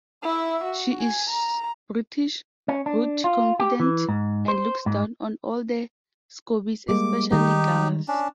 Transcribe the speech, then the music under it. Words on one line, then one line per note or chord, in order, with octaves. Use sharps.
She is British, rude, confident, and looks down on all the Scoobies, especially Giles.
E4 E5
F#4
G#5
A#5
C#4
D4
F4
G4
E3
G#2
C5
G#2
G3 G#3 A#3 D6
D#3 G3 G#3 D#4 G4
C#4 D4